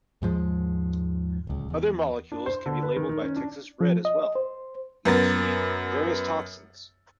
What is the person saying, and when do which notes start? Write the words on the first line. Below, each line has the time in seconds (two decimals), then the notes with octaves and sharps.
Other molecules can be labeled by Texas Red as well, e.g., various toxins.
0.22 D#2 G#2 F3 G#3
1.47 D1 C#2
1.70 E2
2.32 D4
2.46 C5
2.66 D3
2.83 B4
2.96 D#3
3.09 D#3
3.22 C#4
3.36 D4
3.81 F3
4.05 D#5
4.35 C5
5.05 F#2 B3 A#4 A6